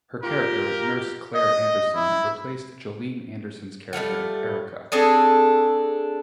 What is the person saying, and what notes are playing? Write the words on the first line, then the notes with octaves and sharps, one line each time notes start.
Her character, nurse Claire Anderson, replaced Jolene Anderson's character Erika.
F4 G4 A#4
D#5
E4
G3 A3 F4 F#5
C4 D4 G#4 A4